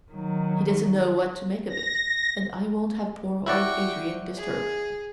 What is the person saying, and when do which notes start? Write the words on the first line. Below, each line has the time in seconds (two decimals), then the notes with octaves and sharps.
He doesn't know what to make of it, and I won't have poor old Adrian disturbed.
0.12 D#3 F#3
1.68 A#6
3.46 E4 F#4 D5 G5 C#6
4.36 G#4